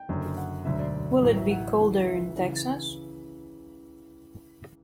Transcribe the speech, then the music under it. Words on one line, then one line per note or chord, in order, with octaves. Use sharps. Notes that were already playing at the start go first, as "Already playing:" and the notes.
Will it be colder in Texas?
Already playing: G5
F#1 F#2 D3
F#5
E1 D2 D3 F#3 E5
D5
A1 A2 F#3
E5
F#5
C#2 C#3 E3
E5
C#3 E3